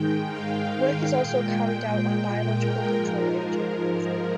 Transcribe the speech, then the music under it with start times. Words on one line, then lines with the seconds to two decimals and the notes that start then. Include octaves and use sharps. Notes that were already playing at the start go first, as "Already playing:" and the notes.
Work is also carried out on biological control agents.
Already playing: G#2 D#3 G#3 G5
0.26 F5
1.15 A#2 G#3 G5
2.49 A#4
2.94 G#2 F3 G#3 A#4
3.39 A#4